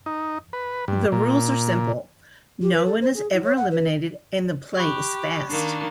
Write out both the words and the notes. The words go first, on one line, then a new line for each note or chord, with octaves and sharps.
The rules are simple, no one is ever eliminated, and the play is fast.
D#4
B4
G2
A#2
G4
B4
A4
C5
G#4
E4
C#5
F#5
B4
G4 B5 C#6 F#6
D#3 A#3 D4